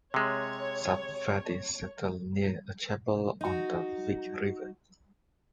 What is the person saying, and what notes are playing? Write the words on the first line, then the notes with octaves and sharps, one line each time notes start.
Savvaty settled near a chapel on the Vyg River.
C3 G#3 C#5
D#4 F#4